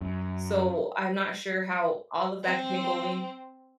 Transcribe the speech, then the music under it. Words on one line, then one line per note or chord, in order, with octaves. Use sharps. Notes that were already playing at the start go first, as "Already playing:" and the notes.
so I'm not sure how all of that's been going.
F#2
C4